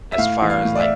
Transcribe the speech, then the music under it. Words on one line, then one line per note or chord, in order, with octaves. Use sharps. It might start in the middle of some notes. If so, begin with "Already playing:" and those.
as far as, like,
E5
A2 F5
E3
F5
A2
D5
E5